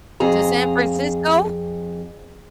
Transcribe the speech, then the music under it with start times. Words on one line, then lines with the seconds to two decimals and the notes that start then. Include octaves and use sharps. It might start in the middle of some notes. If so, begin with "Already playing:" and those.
To San Francisco?
0.20 F2 G#4 A#5